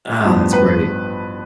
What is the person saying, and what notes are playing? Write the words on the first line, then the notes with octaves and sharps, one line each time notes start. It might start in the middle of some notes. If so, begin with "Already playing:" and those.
Ah, that's great.
A1 G2 F3 B3 D4
B4